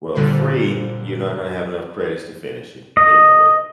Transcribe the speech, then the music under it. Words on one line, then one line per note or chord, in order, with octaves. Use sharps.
well, free. You're not gonna have enough credits to finish it. They know it.
A#2 D3 G3 F4 C5
D#5